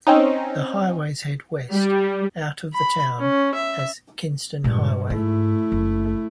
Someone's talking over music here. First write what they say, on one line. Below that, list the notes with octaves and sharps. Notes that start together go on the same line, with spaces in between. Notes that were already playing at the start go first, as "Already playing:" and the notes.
The highways head west out of the town as Kinston Highway.
C4 C#4 D#4
G3
B5
C#4
E5
G2 A#2 G#3
G#2 A3 E4
F#1